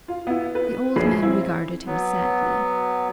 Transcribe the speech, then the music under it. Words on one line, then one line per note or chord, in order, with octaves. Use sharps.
The old man regarded him sadly.
F4
B3 E4
B4
A#1 F3 G#4 C#5 B5 C7
C4 E4
F#3 B3